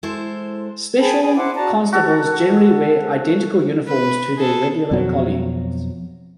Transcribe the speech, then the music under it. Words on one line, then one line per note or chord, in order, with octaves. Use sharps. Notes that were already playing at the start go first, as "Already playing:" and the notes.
Special constables generally wear identical uniforms to their regular colleagues.
G#3 E4 A4 C5
G#4 G5 A5 B5
G#4 D5
E4 C5 F#5 D6
F#4 D5 A5 A#5
F#4 A4
B4
G#4 A4
F2 B2 F3 F#3